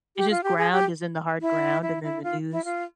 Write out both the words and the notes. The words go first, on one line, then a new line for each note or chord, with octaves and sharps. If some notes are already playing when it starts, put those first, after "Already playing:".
It's just ground as in the hard ground and then the news?
G4
F4
G4
G#4
G4
E4
E4
E4
F4
E4
F4